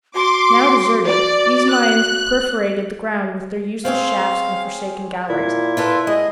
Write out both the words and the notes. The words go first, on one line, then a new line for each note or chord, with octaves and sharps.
Now deserted, these mines perforated the ground with their useless shafts and forsaken galleries.
F#4 C6 D6
D5
F#6
C4 C#4 G#4 F5
A#2 E4
F4 A4 B4
G#3 D#5